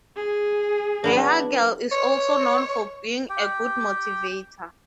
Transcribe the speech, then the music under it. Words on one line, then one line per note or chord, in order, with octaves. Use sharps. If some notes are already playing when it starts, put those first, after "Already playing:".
Rehhagel is also known for being a good motivator.
G#4
F#3 B3 D4
C#5
G4 G5